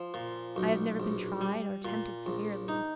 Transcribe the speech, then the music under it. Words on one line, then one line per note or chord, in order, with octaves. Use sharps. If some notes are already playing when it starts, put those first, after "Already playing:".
I have never been tried or tempted severely.
Already playing: F3
A#2
B1
A#1
G3
A#2
A#1
D#4